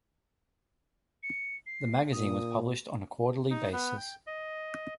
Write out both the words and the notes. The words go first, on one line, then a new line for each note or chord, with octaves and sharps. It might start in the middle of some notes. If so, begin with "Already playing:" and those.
The magazine was published on a quarterly basis.
C#7
C7
A#2 D#6
D#4
B3
G5
D#5